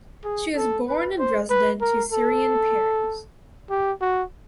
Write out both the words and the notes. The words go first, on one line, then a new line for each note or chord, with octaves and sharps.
She was born in Dresden to Syrian parents.
G#4
A4
B4
C5
B4
A#4
A4
G4
F#4